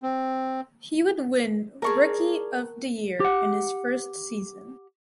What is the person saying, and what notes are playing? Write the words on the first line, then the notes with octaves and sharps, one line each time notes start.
He would win Rookie of the Year in his first season.
C4
G#4 A#4 D5 F5 A5 C#6
G4 F#5